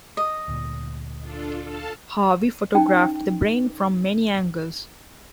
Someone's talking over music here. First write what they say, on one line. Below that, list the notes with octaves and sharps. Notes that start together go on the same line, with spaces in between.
Harvey photographed the brain from many angles.
D#5
D2 A#2
D4 F4 A4
A4 F5 A5
C#4 D#4 G5